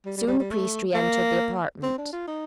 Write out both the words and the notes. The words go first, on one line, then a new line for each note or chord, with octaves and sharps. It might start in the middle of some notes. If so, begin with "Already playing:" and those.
Soon the priest re-entered the apartment.
G3
G3
G3
G3
A3
A#3
C4
D4
F4
D#4